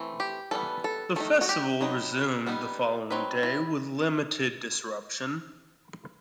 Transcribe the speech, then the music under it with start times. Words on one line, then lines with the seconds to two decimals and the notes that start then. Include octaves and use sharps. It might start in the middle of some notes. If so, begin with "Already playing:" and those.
The festival resumed the following day with limited disruption.
Already playing: E3 A3 C4
0.20 G4
0.51 E3 G3 B3 A4
0.84 A4
1.16 D#3 A3 D#4 A4
1.41 F#4
1.49 G4
1.81 F#3 B3 D#4
2.46 G3 B3 D#4
3.10 F#3 C4 D#4 B4
3.43 E4